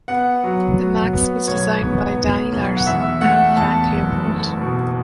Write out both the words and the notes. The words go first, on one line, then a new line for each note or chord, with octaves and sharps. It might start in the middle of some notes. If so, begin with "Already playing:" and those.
The Maxx was designed by Danny Larson and Frank Leopold.
B3 F#5
F#3
F#3
B3
B1 C#5
B3
B3
B1
F#5
E2 E5
A3 F#5
E2 A5
F#1
A3
B2